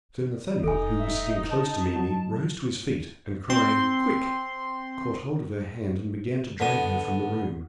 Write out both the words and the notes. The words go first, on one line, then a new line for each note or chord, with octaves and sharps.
Sir Nathaniel, who was sitting close to Mimi, rose to his feet, and, crying, "Quick!" caught hold of her hand and began to drag her from the room.
E1 D#4 A4 G#5
E5
A5
F#3
C4 C6
D3 B3 D#6